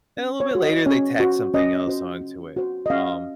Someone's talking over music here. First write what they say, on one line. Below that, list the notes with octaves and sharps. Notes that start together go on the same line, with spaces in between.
And a little bit later, they tack something else onto it. Um,
C#4
C#5
F#4 C5
D#5
C#4 C#5
F#4 C5
C#4 D#5
F#4 C5
C#4
F#4 C5
D#5
C#4 F5